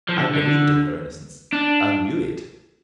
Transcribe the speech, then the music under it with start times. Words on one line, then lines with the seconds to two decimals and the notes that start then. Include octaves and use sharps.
I believed in her innocence; I knew it.
0.09 F3
0.17 D3
0.35 D3
1.53 D4